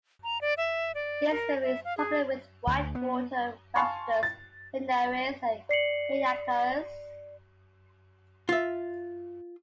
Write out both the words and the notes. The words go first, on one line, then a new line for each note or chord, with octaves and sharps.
This river is popular with whitewater rafters, canoeists, and kayakers.
A#5
D5
E5
D5
A#4
E5
F5
G#4
D2
B3
F5 G#5 A5 C6 C#6
A6
D5 C7 C#7 F#7
F4 E5